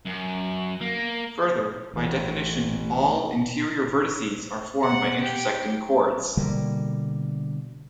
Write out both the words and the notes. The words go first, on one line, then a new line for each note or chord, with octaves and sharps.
Further, by definition "all" interior vertices are formed by intersecting chords.
F#2
A#3
A1 E3
F#5
G4
B2 D3 G3 A#3